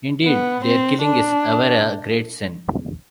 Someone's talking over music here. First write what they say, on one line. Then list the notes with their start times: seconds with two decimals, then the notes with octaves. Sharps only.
Indeed, their killing is ever a great sin.
0.26 B3
0.64 C4
1.03 D4